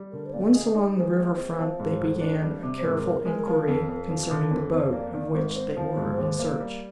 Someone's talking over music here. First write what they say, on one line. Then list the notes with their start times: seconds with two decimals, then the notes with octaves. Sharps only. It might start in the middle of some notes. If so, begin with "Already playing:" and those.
Once along the river front they began a careful inquiry concerning the boat of which they were in search.
Already playing: G3
0.12 D3 A#4
0.26 C5
0.33 A#2 D5
0.54 G#4 D#5
0.75 D#4 D5
0.96 G#3 C5
1.17 A#1 C5
1.37 C4
1.59 F3
1.80 G#2
2.01 D2
2.21 D4
2.42 G3
2.63 C3
2.78 C5
2.84 G#2 A#4
3.05 C4
3.25 G#3
3.47 F3
3.68 F2
3.88 F2
4.10 F3
4.31 D3
4.50 F2 A#4
4.71 F2 C5
4.93 A#3 D5
5.13 D#3 D5
5.34 G#1 C5
5.44 A#4
5.53 C4 C5
5.77 F3
5.97 G#2
6.18 D#2
6.39 A#3
6.60 G3